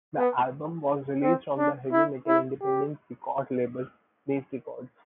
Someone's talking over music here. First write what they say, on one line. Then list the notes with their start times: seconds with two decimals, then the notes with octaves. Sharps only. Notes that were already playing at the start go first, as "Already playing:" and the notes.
The album was released on heavy metal independent record label, Neat Records.
0.18 B3
1.23 C4
1.58 D4
1.92 E4
2.28 E4
2.62 G4